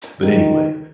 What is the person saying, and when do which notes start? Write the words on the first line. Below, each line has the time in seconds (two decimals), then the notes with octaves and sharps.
but anyway.
0.21 D#3